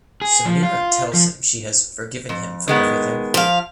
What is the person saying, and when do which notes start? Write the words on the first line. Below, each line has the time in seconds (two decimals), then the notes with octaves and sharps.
Sameera tells him she has forgiven him for everything.
0.22 G#4
0.45 F3
0.63 F4
1.14 F3
2.29 F2
2.68 D#3 G#3 B3
3.34 F3 F5